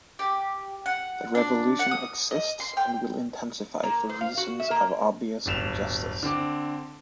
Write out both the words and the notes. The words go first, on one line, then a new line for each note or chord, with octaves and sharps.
The revolution ""exists and will intensify for reasons of obvious injustice"".
G4
F#5
D4
F#5
D#6
D#5
C6
G5
A#3
C5
F5
F#4
E5
A#3
D1 G1 E7 F7
D3 C4 D6